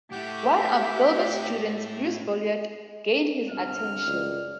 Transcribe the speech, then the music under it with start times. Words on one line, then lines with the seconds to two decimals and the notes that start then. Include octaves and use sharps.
One of Gilbert's students, Bruce Bouillet, gained his attention.
0.12 A2 A3 G4 E5 F#5 G5 D6
3.50 G1 G2 C3 F6
4.07 C#2 F#2 D5